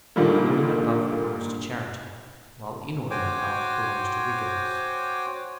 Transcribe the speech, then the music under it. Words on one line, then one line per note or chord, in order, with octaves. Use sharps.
Now ordinate love belongs to charity; while inordinate love belongs to wickedness.
A#2 D3 D#3 F3 G3 A#3
F#4 C5 C#5 G5 G#5 D6